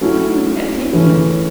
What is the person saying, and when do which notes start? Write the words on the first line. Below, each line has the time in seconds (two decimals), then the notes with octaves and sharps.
Who had taken it?
0.01 F#3 A3 C#4 E4
0.93 C#3 E3 A3 C#4